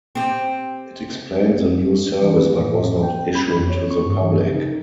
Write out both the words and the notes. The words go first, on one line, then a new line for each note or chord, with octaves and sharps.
It explained the new service but was not issued to the public.
C4 G4
E3
B4
A2
G5
B5
F2
C#5
C#6
G2
E3
F3
D#4